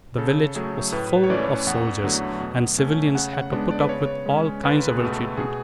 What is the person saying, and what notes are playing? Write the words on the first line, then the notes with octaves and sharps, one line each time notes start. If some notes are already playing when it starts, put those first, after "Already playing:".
The village was full of soldiers, and civilians had to put up with all kinds of ill-treatment.
C#3 A4
F#3 A3 G#4
A2 B4
C#5
E3 A3 C#4 D5
E2 F#5
D3 F#3 A3
B2
A3 C#4
C#3 F#5
F#5
G#3 B3 D4
D5
B4
C#3 C#5
G#3 C#4
C#2 B4
G#4
B2 A3
A4
B2 G#4